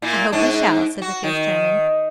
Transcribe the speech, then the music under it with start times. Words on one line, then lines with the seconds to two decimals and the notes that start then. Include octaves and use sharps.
'I hope we shall,' said the fierce gentleman.
0.02 A#2 A#3 E4
0.32 G#2 D4
1.02 F#4
1.24 D#3